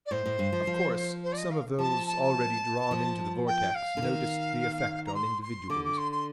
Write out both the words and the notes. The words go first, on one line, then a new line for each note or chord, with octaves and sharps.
Of course, some of those already drawn into the vortex noticed the effect on individuals.
D5
A2 C5
A2
G2
F3
F3
C5
D5
D#5
F5
F3 A5
A5
F3
G5
F5
D3
D#3
A#5
C6
C6
D3 D6
D6
C6
C6